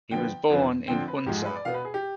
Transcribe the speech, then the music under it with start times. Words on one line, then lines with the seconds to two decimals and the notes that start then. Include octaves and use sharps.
He was born in Hunza.
0.11 D3 F3 B3 G5
0.50 F2 D3 F3 B3
0.88 D3 F3 C4 G5
1.08 B4
1.26 G#2 F3 G#3 G4
1.37 G#4
1.46 B4
1.56 D5
1.65 B2 B3 F5
1.74 B4
1.85 G#4
1.94 G4